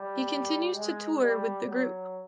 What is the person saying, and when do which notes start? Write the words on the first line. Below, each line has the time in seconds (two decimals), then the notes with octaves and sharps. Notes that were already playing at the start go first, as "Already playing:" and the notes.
He continues to tour with the group.
Already playing: G3
0.72 G#3
1.20 G3
1.68 F#3